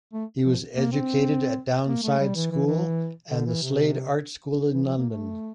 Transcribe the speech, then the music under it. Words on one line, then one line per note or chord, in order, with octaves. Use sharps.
He was educated at Downside School, and the Slade Art School in London.
A3
F3
A#3
C4
A#3
A3
G3
E3
E3
E3
D3
E3
C3
E3
F3
A#3
A3